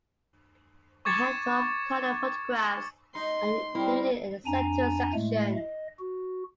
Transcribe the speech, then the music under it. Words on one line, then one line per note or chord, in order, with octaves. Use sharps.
A handful of color photographs are included in a center section.
C#6 D6 G#6 A6 C#7 E7
D#4 C6
G3 A#3 C4 E4
F2 D4 G#5 A#5
A2 G#3 A3
D#5
F#4